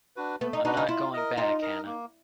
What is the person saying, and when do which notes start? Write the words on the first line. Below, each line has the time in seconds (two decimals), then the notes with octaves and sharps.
I’m not going back, Hannah.
0.16 D4 F#4 B4
0.41 A3 B3
0.53 D#4
0.64 D4 D#4 F#4 B4
0.77 D#4
0.89 E4 F4
1.13 A#4 D#5
1.37 D#4 F4
1.62 A#4 D#5
1.86 A#3